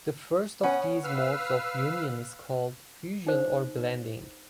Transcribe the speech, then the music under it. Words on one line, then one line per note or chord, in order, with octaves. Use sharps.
The first of these modes of union is called fusion or blending.
B3 C#4
B4 F5 E6 F6
D#4 C5